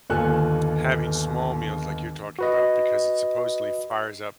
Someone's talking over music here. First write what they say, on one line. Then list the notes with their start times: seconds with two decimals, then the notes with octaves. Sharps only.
having small meals like you're talking about because it, supposedly, fires up
0.10 G1 D#2 F4 A4 G#5 F#6
2.39 F#4 B4 D#5